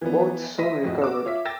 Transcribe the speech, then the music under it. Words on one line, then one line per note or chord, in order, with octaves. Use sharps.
Both soon recovered.
E3 F3 B3
D#5 E5 C6 A#6 B6 D#7
F2 A2 F3 F#4 D#5
F#4 D6 E6
F4 C#5 E5 B6
G5 E6 A6 A#6